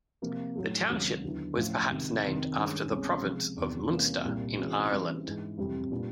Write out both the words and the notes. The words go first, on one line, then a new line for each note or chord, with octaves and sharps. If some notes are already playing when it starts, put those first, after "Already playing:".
The township was perhaps named after the province of Munster in Ireland.
C3 F3 A#3
A2 F#3 A3
C#2 C3 D#3 F#3 A#3
D#2 D3 F#3 B3 E4
A2 F3 A3 C#4
C#2 C3 D#3
F2 C3 D#3
G2 D#3 G#3 C#4
C2 B2 G#3 C#4
C3 F3 G#3
E2 C3 D#3
C3 E3 G3 A#3 C#4
C2 A#2 G3
C3 E3 G#3 C#4 F#4
C#3 E3 G3 C4
G#2 E3 G#3
F2 C3 E3 G3
A#2 G3 B3 D4 F4